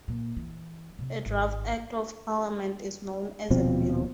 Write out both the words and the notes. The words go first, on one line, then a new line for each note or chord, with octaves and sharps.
A draft Act of Parliament is known as a bill.
A#2
E3
C3 C4
G#1
D#1 B2 F3 C4